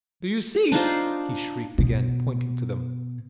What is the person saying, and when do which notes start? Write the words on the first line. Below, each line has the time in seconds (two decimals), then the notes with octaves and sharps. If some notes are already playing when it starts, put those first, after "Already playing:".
"Do you see?" he shrieked again, pointing to them.
0.72 D4 D#4 F4 C5
1.78 B2